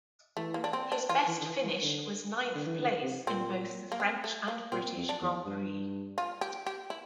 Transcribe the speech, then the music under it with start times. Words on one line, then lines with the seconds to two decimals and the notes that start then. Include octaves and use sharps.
His best finish was ninth place in both the French and British Grands Prix.
0.37 E3 A3
0.54 A#3
0.64 D4
0.73 C4
0.92 D4
1.09 E3 F4
1.27 E3
1.40 D3
1.45 E3
1.64 E3
1.82 D3
2.55 D3
2.67 E3
2.79 D3
3.03 C3
3.27 A#2 C4
3.92 A#3
4.00 C4
4.24 A3
4.48 A#3
4.72 A#2 C4
4.97 F2
5.09 D4
5.22 E2
5.46 G2
6.18 F4
6.41 G4
6.67 G4
6.90 E4